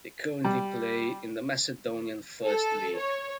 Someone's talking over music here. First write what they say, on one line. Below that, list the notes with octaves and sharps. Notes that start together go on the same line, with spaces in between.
They currently play in the Macedonian First League.
G3
A4
C#5